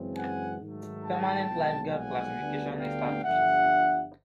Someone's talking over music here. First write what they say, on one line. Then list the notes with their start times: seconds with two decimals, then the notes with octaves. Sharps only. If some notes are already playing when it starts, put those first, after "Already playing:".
Permanent Lifeguard Classification established.
Already playing: F#2 C#3 E3 G#3 C4
0.16 F#5 G#5
0.60 G#2 D#3 F#3 A3
1.04 G5 A5
1.48 B1 A#2 F3 G#3
1.91 F#5 G#5
2.36 D2 D3 G3 B3 D4
2.79 F5 G5
3.23 G1 G2 D3 F3 E5 F#5